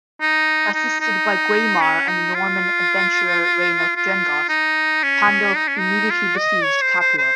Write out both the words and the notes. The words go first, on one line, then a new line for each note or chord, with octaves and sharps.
Assisted by Guaimar and the Norman adventurer Rainulf Drengott, Pandulf immediately besieged Capua.
D#4
D#4
D#4
C#4
D#4
F4
F4
D#4
C#4
D#4
C#4
D#4
F4
D#5
C#5
C5
C5
C5